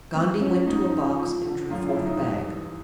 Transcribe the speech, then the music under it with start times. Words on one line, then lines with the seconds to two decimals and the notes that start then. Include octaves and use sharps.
Gondy went to a box and drew forth a bag.
0.14 G#2 C4
0.40 F3 C#4
0.67 G#2 D#4
0.84 D#4
0.92 F3
1.19 F3
1.45 D3
1.70 F#2 F4
1.89 E4
1.97 F#2
2.06 D#4
2.23 G2
2.49 E3